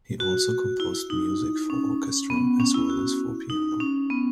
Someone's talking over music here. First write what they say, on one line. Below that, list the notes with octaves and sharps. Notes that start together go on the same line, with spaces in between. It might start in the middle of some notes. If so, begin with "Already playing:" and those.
He also composed music for orchestra as well as for piano.
F#4
E4
D#4
C#4
B3
C#4
E4
F#4
D#4
C#4
B3